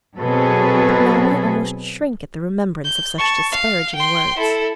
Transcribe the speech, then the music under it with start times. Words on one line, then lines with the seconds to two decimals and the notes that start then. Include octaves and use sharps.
But now I almost shrink at the remembrance of such disparaging words.
0.19 B2 F#3 C4 G#4 A4 B4
2.84 G6
3.18 A5 C#6
3.52 F5
3.96 G5 C6
4.38 E4 A4